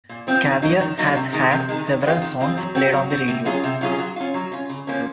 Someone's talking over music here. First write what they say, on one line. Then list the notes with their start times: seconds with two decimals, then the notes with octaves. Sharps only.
Caviar has had several songs played on the radio.
0.09 A#2
0.27 F3 C4 F4
0.44 D#3
0.62 F#3 A#3 D#4
0.80 D#3
0.98 F#3 A#3 D#4
1.15 C3
1.33 D#3 G#3
1.51 C3
1.69 D#3 G#3
1.87 D#3
2.04 G#3 C4 F4
2.22 D#3
2.40 G#3 C4 F4
2.57 F#3
2.75 C4 F#4
2.92 F#3
3.10 C4 F#4
3.28 C3
3.45 F#3 C#4 F4 G#4
3.64 C3
3.81 F#3 C#4 F4 G#4
3.98 F#3
4.16 C#4 F4
4.34 F#3
4.52 C#4 F4
4.69 C#3
4.87 F3 A#3 C#4